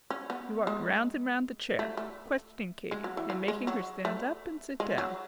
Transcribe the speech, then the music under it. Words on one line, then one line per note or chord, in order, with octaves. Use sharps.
He walked round and round the chair, questioning Katy and making her stand up and sit down.
C#4
B3
G#3
A3
A3
G#3
F#3
E3
F#3
G#3
F#3
A3
G#3
F#3